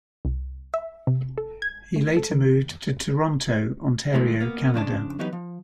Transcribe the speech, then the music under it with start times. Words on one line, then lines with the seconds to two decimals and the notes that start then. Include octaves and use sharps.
He later moved to Toronto, Ontario, Canada.
0.25 C2
0.74 E5
1.07 C3
1.38 A4
1.62 G#6
1.96 A3
2.17 A4
2.31 D#3
4.13 D2 A2 E3 G#3 A3
4.40 A#3 B3
4.74 F2 C#3 D4 A5
5.19 E3 F#3 B3 D#4 G4 B4
5.33 F3